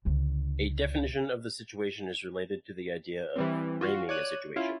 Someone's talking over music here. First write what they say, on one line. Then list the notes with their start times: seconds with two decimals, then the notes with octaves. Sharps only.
A definition of the situation is related to the idea of "framing" a situation.
0.05 C#2 D3
3.36 E3 G3 C4
3.81 F4 F#4
4.09 C#5 D5 F#6 D#7
4.56 C#4 E4 F4